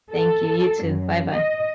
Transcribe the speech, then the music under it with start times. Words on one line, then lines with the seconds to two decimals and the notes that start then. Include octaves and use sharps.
Thank you, you too. Bye-bye.
0.12 A4
0.83 F#2
1.33 D#5